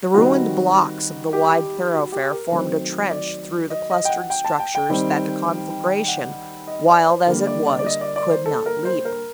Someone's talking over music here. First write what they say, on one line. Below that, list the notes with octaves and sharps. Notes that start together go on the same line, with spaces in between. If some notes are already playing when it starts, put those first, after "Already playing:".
The ruined blocks of the wide thoroughfare formed a trench through the clustered structures that the conflagration, wild as it was, could not leap.
D#3 G3 C4 F#4
G4
F#4
G4
A#4
D#3 F#3 A3 C4 C5
D5
D#5
D#5
G5
F#5
G5
A5
G5
G5
D#3 G3 C4
F#5
D#5
D5
C5
D3 G3 A#3 A#4
D5
D5
D5
D#5
D5
D5
C5
A4
A#4
C5
A#4